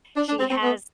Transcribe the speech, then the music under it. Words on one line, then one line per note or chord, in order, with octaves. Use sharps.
She has
D4
D4
C4
C4
B3